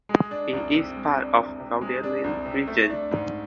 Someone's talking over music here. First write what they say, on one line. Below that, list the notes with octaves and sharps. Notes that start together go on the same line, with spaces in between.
It is part of the Gauldalen region.
G#3
D4
C2
C3
G#3
D4
C2
C3
G#3
D4
C2
C3
A3
D4
G#2